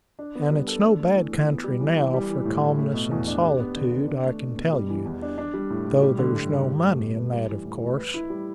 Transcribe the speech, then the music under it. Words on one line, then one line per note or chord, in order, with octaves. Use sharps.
And it's no bad country now for calmness and solitude, I can tell you--though there's no money in that, of course.
D4
B3
G3
A4
D4
A3
E3
E3
B3
G3
E3
E3
G3
E3
A2
A2
A3
B2
E2
D4
G4
B3
D3
D3
D4
A3
B2
B2
G3
E3
E2
D4
D4
G3
A2
A2
G3
D3
G2
G2
G4
A3
B2
B4
G3
E3
A2
A2
B4
E4
G3